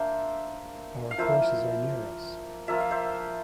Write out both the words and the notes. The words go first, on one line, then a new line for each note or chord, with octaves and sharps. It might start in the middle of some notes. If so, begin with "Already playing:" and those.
Our forces are near us.
Already playing: A#3 D4 C5 E5
F5
F3 A#3 E4 C5 E5
F3 A#3 F4 E5
F5
C5 E5